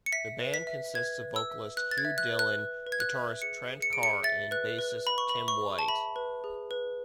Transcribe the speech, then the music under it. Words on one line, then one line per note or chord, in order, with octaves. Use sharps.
The band consists of vocalist Hugh Dillon, guitarist Trent Carr, and bassist Tim White.
C#7
E5 B6
B4
B6
E5
B4 G#6
B4
E6
E5
B4 F#6
A6
G#6
E5
F#6
B4
F#6
B4
B4
G#6
F#6
E5
G#4 C#7
G#4
C#7
G#4 D7
C#7
E5 A6
B4 F#6
B4
B4 B5
C#6
E5 B5
C#6
G#4
A5
E5 B5
B4
G#4
B4